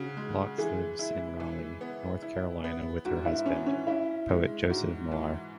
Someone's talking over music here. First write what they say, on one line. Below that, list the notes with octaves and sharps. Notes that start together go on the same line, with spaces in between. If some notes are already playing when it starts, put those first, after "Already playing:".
Laux lives in Raleigh, North Carolina with her husband, poet Joseph Millar.
Already playing: C#3 F#4
G#3
E3 G#4
E4
E3
B3
E4
B3
G#2 F#4
E4
E3 C#4
C#4
C#4 E4
G#3
G#2 F#4
E3